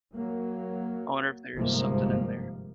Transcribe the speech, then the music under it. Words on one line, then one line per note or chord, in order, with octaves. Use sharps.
I wonder if there's something in there.
F#3 A#3
G1 G#2 C3 F3 A#3